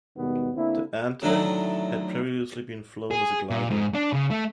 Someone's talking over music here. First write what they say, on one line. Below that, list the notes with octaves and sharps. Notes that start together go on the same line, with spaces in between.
The Ente had previously been flown as a glider.
D#2 B2 D#3 G3 G#3 B3
D3 A#3 C4 E4
A2 D3 D#3 F#3
G#4
A#2
G#2
D4
C#3
A3